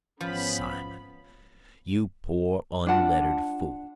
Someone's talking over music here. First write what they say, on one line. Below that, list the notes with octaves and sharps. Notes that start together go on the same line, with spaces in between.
Simon! you poor unlettered fool.
G#1 F3 B3 C#4 B5
D4 F4 F#5 A5